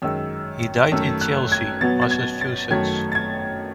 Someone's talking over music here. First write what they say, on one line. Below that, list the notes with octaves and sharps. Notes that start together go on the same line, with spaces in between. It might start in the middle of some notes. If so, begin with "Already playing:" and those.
He died in Chelsea, Massachusetts.
F#2 D#3 G#3 E6
F#2 D#3 A3 E6
F#6
G#6
B2 F#3 B3 A6
A6
G#6
A6
F#2 D#3 F#3 A3 G#6
A6
G#6